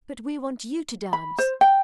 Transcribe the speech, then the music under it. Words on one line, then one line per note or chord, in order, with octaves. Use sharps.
'But we want you to dance.'
B5
C5
G5